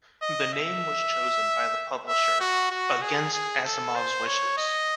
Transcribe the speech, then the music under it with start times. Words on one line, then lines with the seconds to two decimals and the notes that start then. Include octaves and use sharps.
The name was chosen by the publisher, against Asimov's wishes.
0.22 D#5
0.54 E5
2.08 E5
2.40 F#4
2.71 F#4
3.02 G#4
3.33 G#4
3.65 A4
3.95 C5
4.27 C#5
4.58 D#5